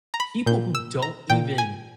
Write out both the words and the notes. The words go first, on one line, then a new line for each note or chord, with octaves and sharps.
people who don't even
A#5
B5
A#2 G6
E6
A#5
A#2 G5
G#5